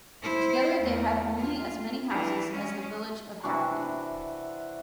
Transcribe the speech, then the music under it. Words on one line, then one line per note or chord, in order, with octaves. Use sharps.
Together they had only as many houses as the village of Hackney.
E4 C5
E2 A3
F4
E3 D4
G#3 C#4
C3 E3 D4 F#4